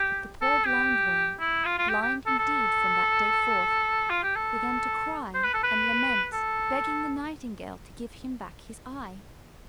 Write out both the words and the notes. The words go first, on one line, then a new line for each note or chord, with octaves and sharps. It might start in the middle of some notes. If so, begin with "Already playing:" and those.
But the poor Blindworm, blind indeed from that day forth, began to cry and lament, begging the Nightingale to give him back his eye.
Already playing: G4
A4
G4
E4
F4
F4
G4
G4
A4
A4
F4
G4
A4
C5
B4
A4
B4
A4